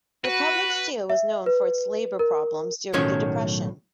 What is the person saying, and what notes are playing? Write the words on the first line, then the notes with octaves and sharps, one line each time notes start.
Republic Steel was known for its labor problems during the Depression.
F#4 B4
E5
B4
A#4
B1 A2 D#3 F#3 C#4 C#5